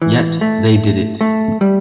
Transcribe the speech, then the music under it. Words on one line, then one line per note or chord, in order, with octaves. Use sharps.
Yet, they did it.
E3
A3
A3
G3